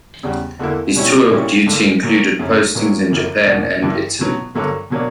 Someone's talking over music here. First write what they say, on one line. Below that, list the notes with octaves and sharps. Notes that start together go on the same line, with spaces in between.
His tour of duty included postings in Japan and Italy.
E2 C#3 G3
E2 D3 A#3 E4
B2 G3 C#4 E4
A#2 G3 C#4 E4
G2 D3 A#3
A#2 F#3 A#3
F#2 C#3 F#3 C#4
A#2 F#3 B3 E4
F#2 C#3 E3 A#3
E2 B2 A#3
G2 E3 A#3 E4
B2 F#3 B3
G2 D3 F#3 A#3
B2 F#3 A#3 D4